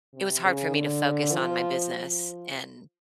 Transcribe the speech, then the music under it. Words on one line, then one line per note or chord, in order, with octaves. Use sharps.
it was hard for me to focus on my business, and,
C3
C#3
D3
F3
F3